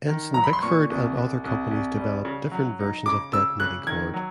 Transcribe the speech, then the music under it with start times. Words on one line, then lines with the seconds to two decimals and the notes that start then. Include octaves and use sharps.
Ensign-Bickford and other companies developed different versions of detonating cord.
0.08 D#3
0.34 F#3 A#5
0.44 B5
0.53 C6
0.63 A#2 C#6
0.90 C2
1.17 C2
1.44 C2
1.71 C2
1.98 G3
2.25 C#3
2.51 F#3
2.79 D#4
3.06 C#3 D6
3.33 C#3 E6
3.60 C#3 F#6
3.87 D#3 G#6
4.14 F#3